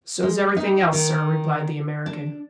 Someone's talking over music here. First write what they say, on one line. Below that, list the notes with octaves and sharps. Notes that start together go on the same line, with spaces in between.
"So's everything else, sir," replied the American.
G#3
D#4
D#3
D4